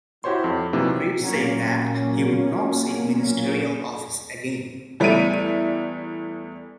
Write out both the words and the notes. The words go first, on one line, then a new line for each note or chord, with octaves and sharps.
Reed said that he would not seek Ministerial Office again.
E4 F#4 G4 C5 C#5 C6
F2
C3 E3 F#3 A#3 D#4
A#2 F#3 A#3 C#4
E2 G3 A3 E5 D7 D#7